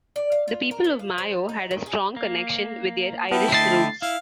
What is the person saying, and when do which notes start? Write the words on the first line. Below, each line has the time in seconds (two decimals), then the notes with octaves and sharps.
The people of Mayo had a strong connection with their Irish roots.
0.16 D5
0.32 F5
0.48 F4
0.71 A#4
0.84 B3
0.99 F5
1.18 F3
1.49 D#4
1.71 D#3
1.86 G#4
2.16 A#3
3.32 B3 E4 G5 A5
3.52 D3 A3 D#5 A6 C7
4.02 E4 F5